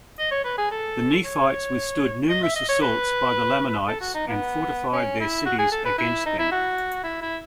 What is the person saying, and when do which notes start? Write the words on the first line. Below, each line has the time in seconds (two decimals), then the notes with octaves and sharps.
The Nephites withstood numerous assaults by the Lamanites, and fortified their cities against them.
0.19 D#5
0.31 C#5
0.44 B4
0.58 G#4
0.71 A4
1.24 C#5
2.29 D#5
2.43 E5
2.55 D#5
2.69 C#5
2.82 B4
3.88 A4
4.01 F#4
4.15 D#4
4.27 B3
4.93 C#4
5.20 E4
5.45 F#4
5.59 G#4
5.72 A4
5.85 B4
5.98 E4
6.25 D#4
6.39 E4
6.52 F#4
7.04 E4
7.22 E4